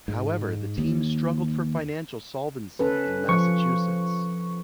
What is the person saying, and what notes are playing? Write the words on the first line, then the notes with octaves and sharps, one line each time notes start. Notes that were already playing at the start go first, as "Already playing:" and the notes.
However, the team struggled for financial solvency in Massachusetts.
G#2
D#2
C#4 A4 B4
F3 C#6